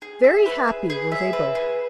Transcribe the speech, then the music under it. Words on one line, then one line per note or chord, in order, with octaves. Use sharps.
Very happy were they both.
G#4
E5
B4
G#4
G#4
E5
B4
G#4